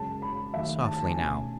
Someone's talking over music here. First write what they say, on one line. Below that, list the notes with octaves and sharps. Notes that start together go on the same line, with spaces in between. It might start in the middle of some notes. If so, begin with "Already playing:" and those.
Softly now.
Already playing: F#2 C#3 G#3 A5
B5
D#2 D#3 F#3 A3 E5
A5
A5
G#5
B2 A3 C#4 G#5